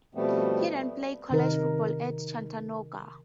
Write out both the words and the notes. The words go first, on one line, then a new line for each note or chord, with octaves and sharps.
He then played college football at Chattanooga.
B2 F3 G3 A3 B3 C4
C3 D#3 D#4 A#4